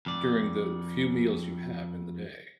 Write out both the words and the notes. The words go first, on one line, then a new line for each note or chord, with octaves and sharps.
during the few meals you have in the day.
F2 D5